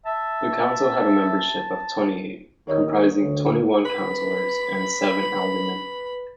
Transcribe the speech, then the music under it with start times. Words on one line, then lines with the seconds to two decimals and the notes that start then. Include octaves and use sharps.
The council had a membership of twenty-eight, comprising twenty-one councillors and seven aldermen.
0.06 E5 A5
2.67 D#2 A#4 C#5 D#5
3.22 D2
3.85 B4 B5